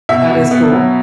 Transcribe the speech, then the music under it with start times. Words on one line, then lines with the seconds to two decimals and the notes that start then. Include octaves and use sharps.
That is cool.
0.09 B2 E5
0.30 B2
0.51 B3
0.72 F#3